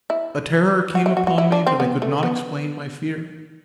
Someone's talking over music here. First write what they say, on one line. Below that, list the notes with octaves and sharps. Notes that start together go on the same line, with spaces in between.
A terror came upon me, but I could not explain my fear.
E4
F#4
E4
F#4
F#4
E4
D4
C4
B3
A3
B3